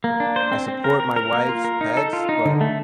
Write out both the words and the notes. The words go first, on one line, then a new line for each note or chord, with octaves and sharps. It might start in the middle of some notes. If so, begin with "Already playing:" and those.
I support my wife's pets, but
A#3
D4
C5
C4
C4
A#4
A#4
A#4
A#3
F4
A#4
D#4
A4
F4
D#4
D3
A3